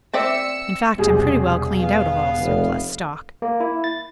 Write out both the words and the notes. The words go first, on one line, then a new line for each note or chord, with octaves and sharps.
In fact, I'm pretty well cleaned out of all surplus stock.
C4 D5 E5 E6 C#7
E1 C3 G3 G#4
B3 F5
F1
A#3
E4
A6